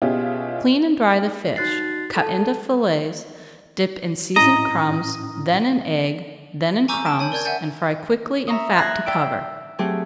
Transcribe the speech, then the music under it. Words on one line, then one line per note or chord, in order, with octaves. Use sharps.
Clean and dry the fish, cut into fillets, dip in seasoned crumbs, then in egg, then in crumbs, and fry quickly in fat to cover.
B2 C#4 E4 F4 G4 G#4
D#4 F#4 F#6 A6 C7
A4 A5
A2 C#4 E4 D#5 A#5
G#5 A#5 C#6 D6 E6 G6
A5 D7
C#5 G#5 B5 G6
A#4 D5 G6 G#6
E5 F#5 G#5 G6 A6
E5 A#5 C#6 D#6
F#6 G#6 A#6 C7
D5 G5 E6 B6 D7
F#3 A3 C4 G4 G#4